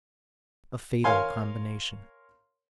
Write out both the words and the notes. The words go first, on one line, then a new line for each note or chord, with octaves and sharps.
A fatal combination.
A#4 C#5 F5 G#5 C6